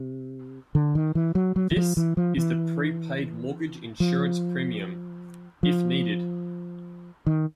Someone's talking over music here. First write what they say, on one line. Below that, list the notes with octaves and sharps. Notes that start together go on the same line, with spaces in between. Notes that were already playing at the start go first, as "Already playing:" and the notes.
This is the prepaid mortgage insurance premium, if needed.
Already playing: C3
D3
D#3
E3
F#3
F#3
E3
F3
E3
F3
E3
F3
F3
D#3